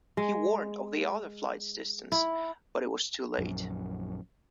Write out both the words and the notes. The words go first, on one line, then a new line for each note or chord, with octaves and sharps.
He warned of the other flight's distance, but it was too late.
G#3
E4
A#1 F#2